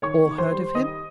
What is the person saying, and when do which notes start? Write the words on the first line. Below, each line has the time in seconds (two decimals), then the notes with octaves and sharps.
"Or heard of him?"
0.02 D#3 C#5 C#6
0.26 D#3
0.38 C5 C6
0.51 G3
0.75 D#3 D#5 D#6